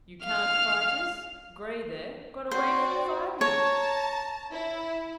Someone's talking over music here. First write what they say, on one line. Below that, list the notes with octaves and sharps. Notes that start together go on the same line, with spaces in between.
You can't fight us--Gray, there, got away from five of you.
F5 F6
C4 F#4 C5 D5
C#5 A5 A#5
E4